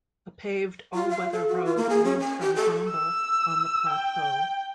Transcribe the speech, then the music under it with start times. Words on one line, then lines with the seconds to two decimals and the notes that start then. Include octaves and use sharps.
A paved all-weather road leads from Zomba on the Plateau.
0.94 F4
1.10 F5
1.32 A4
1.48 F#4
1.65 F4
1.77 A#3
1.90 G#4
2.05 C#4
2.20 G#5
2.40 G4
2.56 A4
2.89 E6
3.89 G5